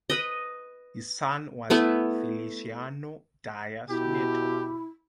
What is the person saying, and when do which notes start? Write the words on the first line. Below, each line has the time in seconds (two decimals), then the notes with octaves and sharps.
His son was Feliciano Dias Neto.
0.10 B4 D#5
1.70 A3 B3 E4
3.90 B2 E4 G4